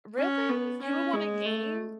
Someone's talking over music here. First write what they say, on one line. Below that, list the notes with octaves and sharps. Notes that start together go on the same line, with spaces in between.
Really? You would wanna game?
C#4
B3
C#4
G#3
A3